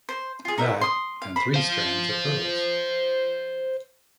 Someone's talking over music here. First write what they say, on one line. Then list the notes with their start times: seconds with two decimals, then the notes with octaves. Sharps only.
That, and three strands of pearls!
0.09 C5
0.45 F4 G#4
0.58 D#4 A#4 E5
0.81 C6 D#6
1.22 F5
1.36 C5 B5
1.54 C5 F5